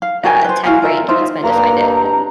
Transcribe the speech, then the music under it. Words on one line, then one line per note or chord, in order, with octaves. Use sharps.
uh, tech brained husband to find it, and
F5
F#4 A#4 G5 G#5
B4 C5
E4 F#4 F5 G#5
F4 A#4 E5
D#4 F4 C5 E5
G2 A#3 A#5